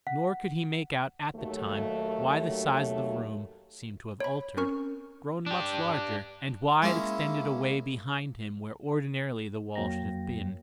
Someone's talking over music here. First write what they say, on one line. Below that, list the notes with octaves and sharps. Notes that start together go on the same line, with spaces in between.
Nor could he make out at the time why the size of the room seemed to have altered, grown much larger, and why it extended away behind him where ordinarily the wall should have been.
F#5
D#2 F#3 A3
C#5 B5
C4 C#4 A#4 C#6 F6
D4 G4
G#3 A#3 C#4 E4
F2 F#3 A#3 G5 A#6